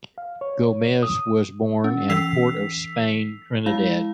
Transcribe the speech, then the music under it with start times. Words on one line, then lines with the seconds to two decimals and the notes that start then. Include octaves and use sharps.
Gomez was born in Port of Spain, Trinidad.
0.18 F5
0.41 C#5
1.03 D#6
1.84 C#4
2.10 E3 E6 B6 C7 F7
3.66 G#3 E4 F5